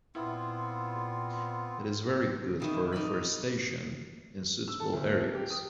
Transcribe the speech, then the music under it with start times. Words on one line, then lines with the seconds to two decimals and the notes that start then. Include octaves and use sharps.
It is very good for reforestation in suitable areas.
0.15 A#2 B3 C4 E4 F4
2.60 B2 D#3 E4
2.92 D#4 D5 B5
4.68 E6
4.80 A4
4.93 D2
5.05 A#3
5.20 G#4
5.35 G4
5.50 D#6